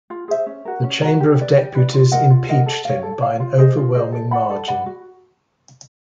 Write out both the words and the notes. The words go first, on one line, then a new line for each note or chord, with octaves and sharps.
The Chamber of Deputies impeached him by an overwhelming margin.
F4
G#4 C5 E5
C#4
F#4 A#4
C#4
F#4 A#4
G4
B4 D5
G4
B4 D5
F4
A#4 D#5 F#5
F4
A#4 D#5 F#5
A4
C#5 F5
A4
C#5 F5
F4
G#4 C5 D#5
F4
G#4 C5 D#5
A4
D5 F#5 B5
A4
D5 F#5 B5
F#4